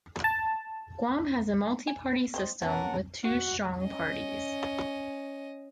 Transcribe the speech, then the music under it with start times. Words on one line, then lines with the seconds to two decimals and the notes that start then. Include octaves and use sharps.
Guam has a multi-party system, with two strong parties.
0.24 A5
1.87 G#5
2.34 C4 C5 D#5
2.62 B3 C#4 A#4 F#5 A5
3.23 F#4
3.80 C#4 D#5